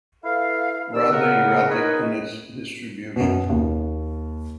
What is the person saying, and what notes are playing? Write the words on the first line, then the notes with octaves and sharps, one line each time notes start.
Rather erratic in its distribution.
E4 A4 B4 F5
D#3 G4 D5 E6
C#3 A#4 F#5
D#4 G#4 A#4 B4 C#5 D#5
F#2 B2
D#2